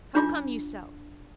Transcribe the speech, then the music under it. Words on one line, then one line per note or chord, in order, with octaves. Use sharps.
How come you so?
D4 F4 D6